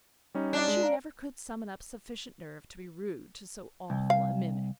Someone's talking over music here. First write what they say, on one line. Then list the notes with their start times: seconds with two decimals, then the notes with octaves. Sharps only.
But she never could summon up sufficient nerve to be rude to so awful a mimic. . . .
0.34 G3 C#4 D#4
0.53 D4
0.68 G#3
0.83 F5 A#5
3.90 C2
4.10 F5